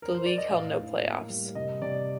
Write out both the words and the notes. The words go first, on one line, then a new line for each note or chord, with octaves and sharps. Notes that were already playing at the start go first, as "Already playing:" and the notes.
The league held no playoffs.
A#4
C5
D5
D#5
A2 F5
A2
A#3
G3
C3 D#5
C3 D5